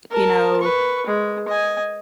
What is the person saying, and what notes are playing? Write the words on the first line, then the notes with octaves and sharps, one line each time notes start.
you know,
A#4 A5
B4 C#6
G#3
D#5 G#5